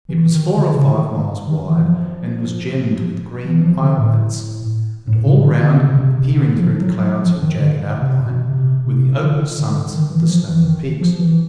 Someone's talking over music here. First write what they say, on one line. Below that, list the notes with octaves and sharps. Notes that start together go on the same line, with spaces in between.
It was four or five miles wide, and was gemmed with green islets; and all round, appearing through the clouds in jagged outline, were the opal summits of the snowy peaks.
E3
D#3
D3
C#3
D#3
D#3
E3
F3
E3
F3
D3
A2
A2
C#3
D3
D3
C#3
C#3
C3
C3
D3
F3
F#3
F#3
F3
D#3
D3
C3
B2
C3
C3
D3
D3
D#3
E3
F3
E3
D#3
F3
E3